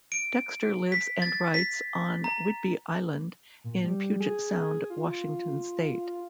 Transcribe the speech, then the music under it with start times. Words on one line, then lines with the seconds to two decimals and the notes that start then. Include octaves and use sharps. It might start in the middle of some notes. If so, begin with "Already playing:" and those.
Dexter lives and writes on Whidbey Island in Puget Sound, Washington state.
0.12 D7
0.92 B6
1.22 A6
1.54 B6
2.24 A#5
3.64 A#2
3.84 G3
4.20 G#4
4.90 F4